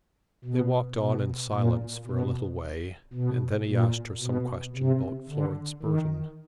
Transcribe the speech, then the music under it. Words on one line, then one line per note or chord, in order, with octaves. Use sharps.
They walked on in silence for a little way, and then he asked her some question about Florence Burton.
B2
B2
A#2
B2
B2
A#2
B2
C3
D3
D#3